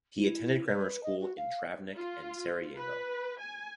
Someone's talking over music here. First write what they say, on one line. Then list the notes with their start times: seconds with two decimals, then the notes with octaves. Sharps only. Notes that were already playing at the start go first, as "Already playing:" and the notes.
He attended grammar school in Travnik and Sarajevo.
0.17 E4
0.67 B4
1.03 D#5
1.19 F#4
1.37 F5
1.95 F4
2.78 B4
3.39 G#5